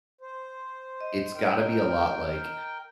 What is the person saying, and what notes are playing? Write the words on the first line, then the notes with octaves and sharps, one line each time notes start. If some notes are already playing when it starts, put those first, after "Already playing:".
it's gotta be a lot like
C5
D#5
A#4 G5